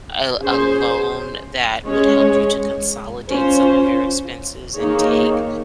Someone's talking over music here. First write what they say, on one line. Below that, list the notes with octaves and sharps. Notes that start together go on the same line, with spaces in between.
a l a loan that would help you to consolidate some of your expenses and take
C#4 G#4 C5
G#3 C#4 G#4 C#5
C#4 F4 C5
D#3 A#3 D#4 G#4 C#5